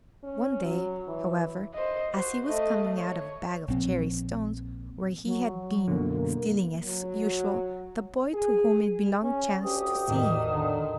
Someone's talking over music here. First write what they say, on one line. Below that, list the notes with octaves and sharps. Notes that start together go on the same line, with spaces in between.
One day, however, as he was coming out of a bag of cherry stones, where he had been stealing as usual, the boy to whom it belonged chanced to see him.
C#4
F#3
E3
C5 D#5
F#4 C5
A3 D#5
C#5
A#1 C4
F#3
F#2 B2 D3 A#3
F#3
G#4
C#4
D2 G4 D#6
G#1 E2 A2 D#3
D3